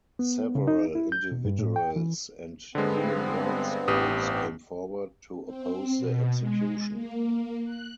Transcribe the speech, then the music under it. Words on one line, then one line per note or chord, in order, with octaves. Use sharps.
Several individuals and human rights groups came forward to oppose the execution.
B3
C#3
D#4
E4
G6
B2
G2
A2
G5
E3
G2 D3 G#3 B3 C4
A1 G4 D#6
C4
B2
G#3
A#3
F#6